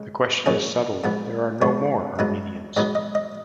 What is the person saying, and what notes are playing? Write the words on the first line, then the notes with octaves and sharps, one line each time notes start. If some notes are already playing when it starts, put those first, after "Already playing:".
The question is settled, there are no more Armenians'.
Already playing: C#3 G#3
F#2 C#3 F3 G#3 C#4
G#2 F3 B3
G#2 F3 B3 C#5
G#2 F#3 B3 D#4
G#2 F#3 B3 D#4 D#5
D#5
D#5